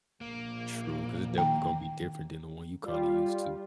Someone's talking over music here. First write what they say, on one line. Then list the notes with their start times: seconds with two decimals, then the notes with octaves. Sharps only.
True, 'cause it definitely gonna be different than the one you kinda used to.
0.21 A#1 A#3
1.38 D#3 G5 A#5
2.83 G3 F4